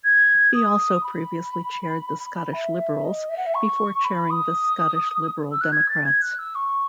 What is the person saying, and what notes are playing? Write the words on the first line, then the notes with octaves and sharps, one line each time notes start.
He also previously chaired the Scottish Liberals, before chairing the Scottish Liberal Democrats.
G#6
D#6
B5
E5
D#5
E5
F#5
E5
C#6
B5
D#6
E6
F#6
G#6
A6
G#6
F#6
E6
C#6